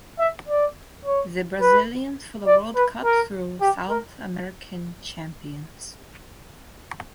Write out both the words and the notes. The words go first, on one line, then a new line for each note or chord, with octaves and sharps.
The Brazilians for the world cup through South American champions.
E5
D5
C#5
B4
D5
B4
A#4
G4
A#4